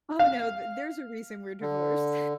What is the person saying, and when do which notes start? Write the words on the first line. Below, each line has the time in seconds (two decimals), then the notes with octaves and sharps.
Oh, no, th there's a reason we're divorced.
0.19 F5
1.61 D3